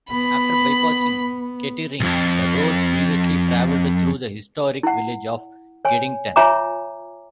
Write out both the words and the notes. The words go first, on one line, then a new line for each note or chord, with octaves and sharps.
After bypassing Kettering, the road previously travelled through the historic village of Geddington.
B3 B5
B1 F2
E4 F#5
C#5 G#5
F4 C#5 E5 G#5 A#5 D6